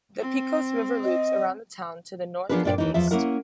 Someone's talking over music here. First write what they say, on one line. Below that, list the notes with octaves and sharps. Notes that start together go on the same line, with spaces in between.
The Pecos River loops around the town to the north and east.
C4
D#5
F3 B3 D4 G#4 A#4 B4
G2 A#2 D4 D5 G5
D#2 E3 D#4
E2 F3 E5
A#3 C#4 E4 A#4 F#5